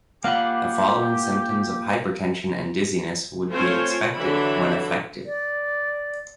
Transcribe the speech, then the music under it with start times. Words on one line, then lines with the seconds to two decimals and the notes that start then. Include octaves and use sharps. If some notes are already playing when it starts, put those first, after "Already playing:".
The following symptoms of hypertension and dizziness would be expected when affected.
0.24 A#3 F4 G4 D5 F5 F#5 B5
3.50 A3 C4 F4 C5 C#5 G#5
4.14 D3 E3 F#3 E5 B5
5.26 D5